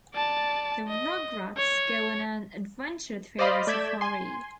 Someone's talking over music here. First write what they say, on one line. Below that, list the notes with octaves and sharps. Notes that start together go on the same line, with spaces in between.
The Rugrats go on an adventure through the safari.
D5 A5
D#5
C#5
C5 D5 D#5 F5 B5 C6
A3 D5 G6 G#6 B6 E7
G#5 C6